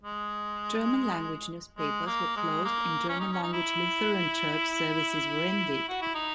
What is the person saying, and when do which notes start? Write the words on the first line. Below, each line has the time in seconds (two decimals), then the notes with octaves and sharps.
German-language newspapers were closed and German-language Lutheran church services were ended.
0.03 G#3
1.78 G#3
2.07 A#3
2.37 G#3
2.65 A#3
3.09 C#4
3.21 D#4
3.33 C#4
3.43 D#4
3.53 E4
5.89 F#4
6.02 E4
6.15 D#4